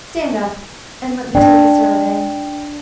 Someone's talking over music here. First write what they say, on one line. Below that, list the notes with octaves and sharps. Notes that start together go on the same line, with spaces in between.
Stand up, and let me take a survey.
D4 G5